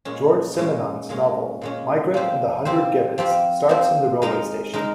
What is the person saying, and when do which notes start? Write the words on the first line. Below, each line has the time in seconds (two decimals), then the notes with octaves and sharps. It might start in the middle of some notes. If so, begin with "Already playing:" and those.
Georges Simenon's novel "Maigret and the Hundred Gibbets" starts in the railway station.
0.05 A#2 G#3 C#4
0.56 A#2 G#3 C#4
1.09 A#2 G#3 C#4
1.62 A#2 G#3 C#4
2.14 F3 C4 G4 C5
2.65 F3 C4 G4 C5
3.18 F3 C4 G4 C5
3.69 F3 C4 G4 C5
4.22 G#3 D#4 A#4
4.74 G#3 D#4 A#4